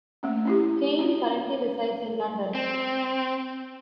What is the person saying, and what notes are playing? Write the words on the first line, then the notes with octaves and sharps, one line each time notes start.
Caine currently resides in London.
A3 A#3 C#4
C#4 E4 G4
C#4 F#4
C4